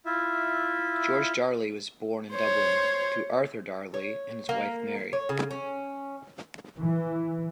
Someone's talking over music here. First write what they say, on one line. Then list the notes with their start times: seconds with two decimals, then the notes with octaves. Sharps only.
George Darley was born in Dublin, to Arthur Darley and his wife Mary.
0.06 E4 F4 E5
2.33 C5 C#5
3.94 C#5
4.49 A#3
5.13 C#5
5.29 C#3
5.51 C#4
6.78 E3